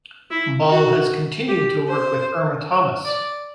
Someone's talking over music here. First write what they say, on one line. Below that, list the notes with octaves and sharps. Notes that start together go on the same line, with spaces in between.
Ball has continued to work with Irma Thomas.
E4
F#4
G4
C5
D5